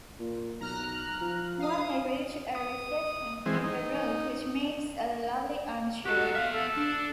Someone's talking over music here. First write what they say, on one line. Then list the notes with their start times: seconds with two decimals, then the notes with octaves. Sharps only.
One may reach a recession in the rock which makes a lovely armchair.
0.19 A#2
0.61 B1 A#5 F6 F#6
1.21 F3
1.59 F5 D#6
2.55 D#6
3.46 E3 G#3 C4
3.64 D#4
6.05 F#4 G4 A4
6.35 B3 E5 F5
6.53 A4
6.77 D4